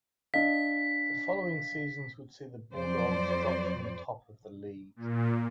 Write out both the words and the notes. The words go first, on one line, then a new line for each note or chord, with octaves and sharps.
The following seasons would see the Bulldogs drop from the top of the league.
D4 D#5 F5 B6
F2 F#3 C5 D5
A#2